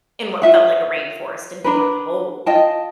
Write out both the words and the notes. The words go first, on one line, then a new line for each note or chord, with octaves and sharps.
in what felt like a rainforest and being like, "Oh,
F4 E5 F#5
D4 A#4 B4
F4 D#5 G5 A5